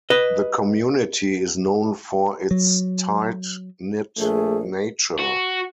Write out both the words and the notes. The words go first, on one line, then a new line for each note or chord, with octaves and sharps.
The community is known for its tight knit nature.
B4 D#5
F#3
A#1 A3 G#4
F#4